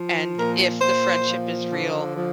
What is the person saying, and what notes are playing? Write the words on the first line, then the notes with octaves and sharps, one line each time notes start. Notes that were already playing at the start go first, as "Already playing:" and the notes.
and if the friendship is real,
Already playing: F3
A#2 A#4
A#2 C5
F3
D3
F3